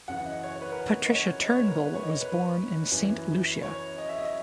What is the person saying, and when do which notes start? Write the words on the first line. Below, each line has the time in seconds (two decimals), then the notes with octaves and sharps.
Patricia Turnbull was born in Saint Lucia.
0.08 F#2 C#3 E3 F#5
0.26 D#5
0.43 C#5
0.56 C#5
0.61 B4
0.72 A#4
0.79 B4
1.06 D#5
1.15 C#5
1.41 D#5
1.50 C#5
1.63 B4
1.68 A#4
1.85 B4
1.95 C#5
2.03 D#5
2.21 B4
2.92 F#2 E3
3.63 C#5
3.98 D#5
4.09 E5
4.19 D#5